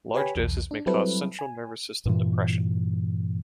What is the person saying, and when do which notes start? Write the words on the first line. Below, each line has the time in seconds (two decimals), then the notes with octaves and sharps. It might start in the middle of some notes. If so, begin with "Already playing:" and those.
Large doses may cause central nervous system depression.
0.14 G4 B4 C#5 G#5 B5
0.36 B1 E2
0.71 D4
0.86 F#3 G3 C4 E4 A4 B4
1.39 G#5
2.05 G2 A#2 E3